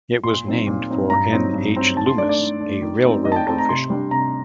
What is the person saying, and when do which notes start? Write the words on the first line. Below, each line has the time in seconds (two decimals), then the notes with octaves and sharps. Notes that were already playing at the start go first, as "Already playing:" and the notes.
It was named for N. H. Loomis, a railroad official.
0.24 A#2 C6
0.46 F#3 C4 D#4
0.67 A#2
0.88 F#3 C4 D#4
1.10 G2 A#5
1.32 F#3 C4 D#4
1.53 G2
1.75 F#3 C4 D#4
1.96 D#3 A5
2.07 C6
2.18 A3 D5
2.21 D4
2.29 D5
2.39 D#3
2.61 D4
2.66 A3
2.82 D#3
3.04 A3 C4 D#4
3.25 D#3 D#5
3.32 A5
3.36 G5
3.47 A3 C4 D#4 A5
3.58 A#5
3.69 C3 C6
3.90 G3 D4
4.11 C3 A#5